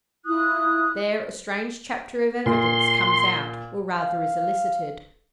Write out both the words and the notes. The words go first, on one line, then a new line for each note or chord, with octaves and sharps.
There a strange chapter of evidence comes out, or rather is elicited.
E4 F4 D#6 F#6
A#2 C6
F5